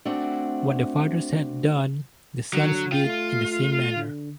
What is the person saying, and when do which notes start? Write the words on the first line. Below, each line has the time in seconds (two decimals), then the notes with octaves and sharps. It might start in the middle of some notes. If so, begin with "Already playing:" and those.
What the fathers had done, the sons did in the same manner.
0.05 A3 C4 D4 F#4
2.53 D3 F#3
2.92 F4 G5
3.05 A3
3.96 D3